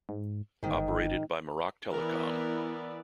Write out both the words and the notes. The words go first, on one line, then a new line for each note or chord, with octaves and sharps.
Operated by Maroc Telecom.
G#2
G1 G#2 D#3
E3 B3 A#4 D5